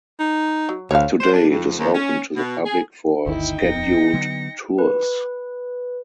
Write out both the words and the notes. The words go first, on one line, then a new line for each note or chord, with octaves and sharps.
Today it is open to the public for scheduled tours.
D#4
F#3
D2 C#5 F5
C5
D4
F2
D#2
C#4
B2
G#4
G1 D2 D#3 D#4 E4 G5
D#1 F2 B3 A#6 C#7
D3 F#3 B3
B4